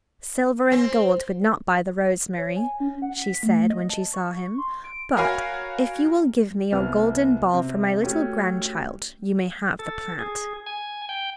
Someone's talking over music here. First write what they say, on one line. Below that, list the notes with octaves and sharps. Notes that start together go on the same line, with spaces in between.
"Silver and gold would not buy the rosemary," she said when she saw him; "but if you will give me your golden ball for my little grandchild you may have the plant."
C4
C#5
G#5
C#4
F#5
B6
A3
D#5
A5
C#6
C6
D7
F#4 A#4 C#5 F5 G#5 B5
C2 C3 B3 F6
C3
A3 C#4 F#4 G4
A4
G#4
G#5
G5